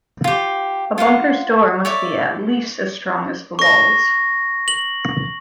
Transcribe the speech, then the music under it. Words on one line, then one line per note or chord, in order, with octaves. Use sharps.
A bunker's door must be at least as strong as the walls.
F4 G4
F4 C5 F5 F#5
C#5 D5 E5
C#6 A#6
F#7